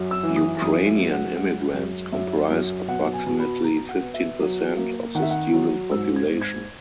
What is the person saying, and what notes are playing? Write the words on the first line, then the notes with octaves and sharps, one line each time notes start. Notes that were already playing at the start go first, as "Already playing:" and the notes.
Ukrainian immigrants comprise approximately fifteen percent of the student population.
Already playing: F#2
E6
E3
D#6
F#2 D#6
E5
F#2
F#5
G#3 F#5
F#2
F#2 E5
F#2
B2 F#5
G#5
B2
B5
B2 A#5
F#5
B3
E5
F#3
A#3
D#3 F#5
E5
F#5
F#3
G#2 E6
G#6
G#2
G#6